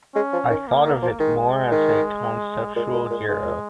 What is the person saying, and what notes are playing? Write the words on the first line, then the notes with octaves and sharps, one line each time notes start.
I thought of it more as a conceptual hero.
G#3 C#4
F3
D#3
A#3
D#3
F3
D#3 G#3
D#3
A#2 G#3
A#2
A#2
G#2 G#3
A#2